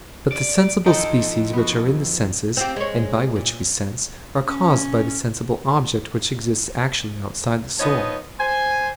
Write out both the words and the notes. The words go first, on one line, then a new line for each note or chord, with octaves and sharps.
But the sensible species which are in the senses, and by which we sense, are caused by the sensible object which exists actually outside the soul.
D5
F3 D#4 A4 G5
B3 F#4
C4 F4 G4
G#3 C#5
A#2
C#4
F3 B3 D#4 C#5 D#5 A5
C5 G#5